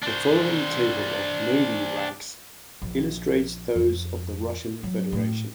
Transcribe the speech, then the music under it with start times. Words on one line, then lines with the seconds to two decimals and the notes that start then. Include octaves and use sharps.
The following table of navy ranks illustrates those of the Russian Federation.
0.02 D4 C5
2.82 A#1
3.76 F2
4.83 F#3
5.12 A2